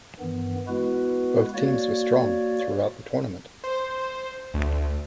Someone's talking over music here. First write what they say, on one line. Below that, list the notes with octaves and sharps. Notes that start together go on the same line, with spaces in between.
Both teams were strong throughout the tournament.
G2 D#3 E3 B3
G#3 B3 E4 F#4 B4
A#3 F#4 C#5 D5
C5
D2